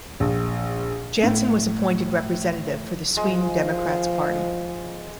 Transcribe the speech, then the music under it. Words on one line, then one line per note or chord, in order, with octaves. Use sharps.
Jansson was appointed representative for the Sweden Democrats party.
A#1
A2
F3 G#3